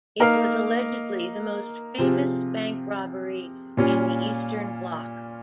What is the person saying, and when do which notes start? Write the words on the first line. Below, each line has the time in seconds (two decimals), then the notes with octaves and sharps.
It was allegedly the most famous bank robbery in the Eastern bloc.
0.20 A#3 D#4 A#4 F5
1.98 C3 F3 C4 F4 G#4
3.77 A#2 G3 C#4 F4